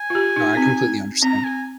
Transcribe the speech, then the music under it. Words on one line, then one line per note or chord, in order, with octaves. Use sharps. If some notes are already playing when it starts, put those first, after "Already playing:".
No, I completely understand.
Already playing: G#5
F4
G4
D#4
C4
C4 A#5
G#5